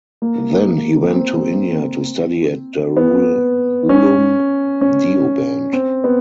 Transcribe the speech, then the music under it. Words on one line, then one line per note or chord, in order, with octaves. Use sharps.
Then he went to India to study at Darul Ulum Deoband.
A#3
C4
B3
C#4
C#4
C4
B3